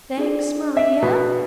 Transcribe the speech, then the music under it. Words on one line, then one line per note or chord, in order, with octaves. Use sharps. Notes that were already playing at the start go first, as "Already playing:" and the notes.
"Thanks, Maria."
D4 G#4 D5
E5
B2